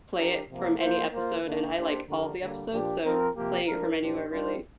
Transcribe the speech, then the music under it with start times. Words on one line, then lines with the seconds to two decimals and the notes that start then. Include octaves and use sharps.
play it from any episode, and I like all the episodes, so playing it from anywhere really,
0.16 F3 D4 G4 A#4
0.48 C3 F3 A#3
0.80 F3 A#3 F4 C5
1.12 A#3 F4 C5
1.45 D3 A#3 D4
1.76 A#3 D4 G4 C5
2.08 D3 F3 D4 G4 A#4
2.40 D3 G3 A#3
2.72 A#2 F3 D4 G4
3.04 F3 C4 A#4
3.35 C3 F3 A#3 G4
3.67 F3 D4 A#4
3.99 A#2 F3 D4 G4 C5
4.31 G3 D4 F4 C5